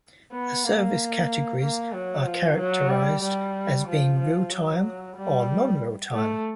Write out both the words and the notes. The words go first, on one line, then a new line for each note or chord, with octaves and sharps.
The service categories are characterised as being real-time or non-real-time.
B3
A#3
A#3
F#3
F3
F#3
G3
G3
F3
F3
F#3
G3
A3